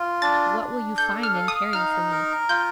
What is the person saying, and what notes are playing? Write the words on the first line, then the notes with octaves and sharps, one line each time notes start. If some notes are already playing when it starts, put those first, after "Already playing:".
What will you find in caring for me?'
Already playing: F4
D4 A6
D4
A4 G6
F6
F5
D#6
D#4 F6
A#4
F4 G6